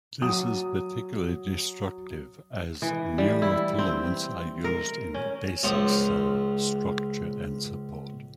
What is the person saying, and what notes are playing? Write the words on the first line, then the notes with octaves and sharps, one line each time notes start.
This is particularly destructive as neurofilaments are used in basic cell structure and support.
F#3 D#6
E3
G3
E4
C4
A#4
C#4
C#2 F3